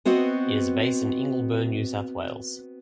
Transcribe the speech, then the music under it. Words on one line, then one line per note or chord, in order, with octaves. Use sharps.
It is based in Ingleburn, New South Wales.
B3 C4 F#4 D#5